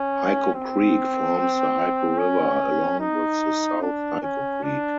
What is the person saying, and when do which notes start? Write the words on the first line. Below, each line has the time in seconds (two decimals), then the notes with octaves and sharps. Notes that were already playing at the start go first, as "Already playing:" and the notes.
Hyco Creek forms the Hyco River along with South Hyco Creek.
Already playing: C#4
0.53 C4
2.18 C#4
3.00 D#4
3.82 D4
4.23 C#4
4.63 D4